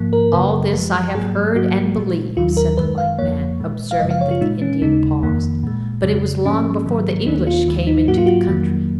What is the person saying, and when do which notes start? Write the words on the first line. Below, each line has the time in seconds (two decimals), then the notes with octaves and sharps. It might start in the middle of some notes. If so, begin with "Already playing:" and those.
"All this I have heard and believe," said the white man, observing that the Indian paused; "but it was long before the English came into the country."
Already playing: G#2 F3 A#3
0.13 A#4
0.33 F#2 C#3 F#3 A#3 B4
0.73 F#2 F3 G#3
1.15 G#2 F#3 A#3 G#4
1.55 G#2 F#3 A#3 F#4
1.96 A#2 G#3
2.37 D#2 D#3 F#3 F4
2.57 A#4
2.77 F#2 D#3 G#3 B4
2.98 F5
3.18 F2 F3 A#3 C#5
3.60 A#2 G#3
3.91 F5
4.00 F#2 C#3 F3 G#3 D#5
4.11 F5
4.21 C#5
4.31 F4
4.41 A#2 G#3 D#4
4.62 C#4
4.82 D#2 C#3 G#3 D#4
5.23 F2 D#3 A#3
5.63 A#2 G#3
6.03 F2 C#3 G#3
6.44 G#2 F3 A#3 C#4
6.86 G#2 D#3 F#3 A#3
7.26 D#2 D#3 A#3 D#4
7.47 F4
7.67 D#2 D#3 G#3
7.87 D#4
8.07 G#2 F#3 A#3 F#4
8.18 F4
8.26 F#4
8.48 F2 D#3 F#3 A#3